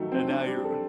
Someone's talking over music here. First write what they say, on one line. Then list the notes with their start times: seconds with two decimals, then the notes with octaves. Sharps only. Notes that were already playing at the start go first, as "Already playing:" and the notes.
and now you're
Already playing: D#3 F#3 A3
0.12 C4
0.28 D4
0.47 G3
0.65 A4